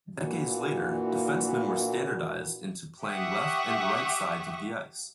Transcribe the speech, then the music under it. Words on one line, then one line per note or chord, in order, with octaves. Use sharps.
Decades later, defencemen were standardized into playing left and right sides of the ice.
A#2 E3 A#3 D4 E4 F#4
G4 E5 F#5 C#6 D#6